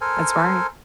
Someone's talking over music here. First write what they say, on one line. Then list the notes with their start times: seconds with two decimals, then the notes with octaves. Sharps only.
That's right.
0.01 A4 A#4 C5 G#5